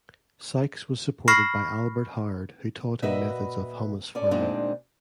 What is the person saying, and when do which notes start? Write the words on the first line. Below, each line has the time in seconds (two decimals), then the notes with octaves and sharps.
Sykes was supported by Albert Howard who taught him methods of humus farming.
1.28 B5 C#6 F6 A#6 C7
3.02 A#2 F#4 B4 D#5 E5
4.15 C#4 A4 D5
4.31 D2 A#2 G#3 C4 D4 D#4